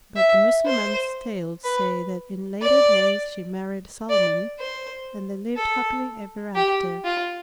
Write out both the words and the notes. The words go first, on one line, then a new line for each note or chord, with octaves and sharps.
But the Mussulmans' tales say that in later days she married Solomon and they lived happily ever after.
E5
C5
B4
D5
D5
C5
A4
G4
F4